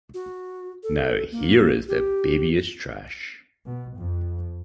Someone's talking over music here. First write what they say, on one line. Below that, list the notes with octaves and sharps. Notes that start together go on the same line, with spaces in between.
Now here is the babyish trash.
F#4
A4
A#3
G4
B2
F2